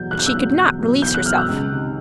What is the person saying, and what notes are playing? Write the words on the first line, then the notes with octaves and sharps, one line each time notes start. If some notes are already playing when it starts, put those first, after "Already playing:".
But she could not release herself.
Already playing: E2 B2 F#3 G6
E2 F#6
G6
E6 F#6
B2 F#3
E2
B2 F#3
E2 G6
F#6
B2 F#3 F6
E6 F#6
C#2
C3 D#3